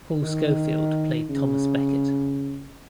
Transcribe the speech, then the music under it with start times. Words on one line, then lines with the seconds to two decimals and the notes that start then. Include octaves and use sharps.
Paul Scofield played Thomas Becket.
0.23 D#3
1.30 C#3